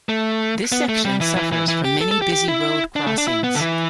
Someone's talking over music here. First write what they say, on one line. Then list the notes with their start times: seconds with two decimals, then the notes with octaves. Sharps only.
This section suffers from many busy road crossings.
0.09 A3
0.72 B3
0.89 A3
1.05 G3
1.21 E3
1.36 E3
1.52 E3
1.68 E3
1.85 G4
2.01 A4
2.11 A4
2.22 G4
2.32 G4
2.48 E4
2.96 D4
3.07 A3
3.18 D4
3.28 E4
3.44 B3
3.55 D3
3.60 E3